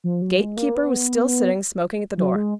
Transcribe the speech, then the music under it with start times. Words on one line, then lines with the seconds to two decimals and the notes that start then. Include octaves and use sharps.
The gatekeeper was still sitting smoking at the door.
0.04 F3
0.22 F#3
0.40 G#3
0.57 A#3
0.75 B3
2.18 F#3
2.35 G#3